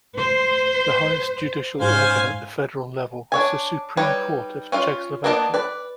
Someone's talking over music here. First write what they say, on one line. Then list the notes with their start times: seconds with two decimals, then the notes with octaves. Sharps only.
The highest judicial organ at the federal level was the Supreme Court of Czechoslovakia.
0.17 C5
1.80 G#2 C#4 C5 F5 G#5
3.32 D4 C#5 G#5
3.97 G3 D#4 B4 C#5
4.72 C#4 F4 F5
5.24 A#3 B3 D4 A4 D#5
5.54 B4 D5